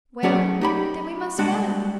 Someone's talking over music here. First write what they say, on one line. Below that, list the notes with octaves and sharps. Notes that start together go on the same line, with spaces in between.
"Well, then we must go!"
F#3 A3 C#4 G#4 D5
D#4 G4 B5
G3 G#3 D4 F#4